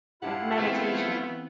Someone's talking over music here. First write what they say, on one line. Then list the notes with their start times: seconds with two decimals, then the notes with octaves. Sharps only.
Like meditation.
0.22 G2 D4 E4 F4 G4 F#5
0.59 E3 A3 B3 C4 G4